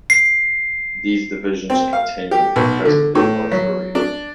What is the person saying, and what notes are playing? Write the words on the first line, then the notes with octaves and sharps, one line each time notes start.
These divisions continue in present-day North Korea.
C7
C4
F5
G4
B1
D3
A2
F#3
D4